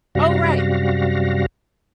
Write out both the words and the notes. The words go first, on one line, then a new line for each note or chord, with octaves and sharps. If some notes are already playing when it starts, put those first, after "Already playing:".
Oh, right.
F#2 C3 G3 F#4 F5 A#6